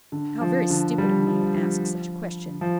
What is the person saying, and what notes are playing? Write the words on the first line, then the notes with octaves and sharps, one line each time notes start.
How very stupid of me to ask such a question.
D3
F3
D3
G3
F3
F3
F3